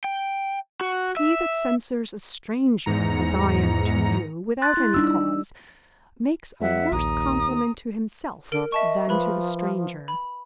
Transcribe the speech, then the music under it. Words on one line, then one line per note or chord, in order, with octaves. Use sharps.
He that censures a stranger, as I am to you, without any cause, makes a worse compliment to himself than to the stranger.
G5
F#4
E5
E2 G#2 A#5 C#7
C6 F#6 A6
E4
G3 D4 D#4 E6
F2 E5 F#5
A#1 D#2 A#5 D#6
D3 A#4 D7
D#5 E5 A5 C#6
F3 B4 B5
B5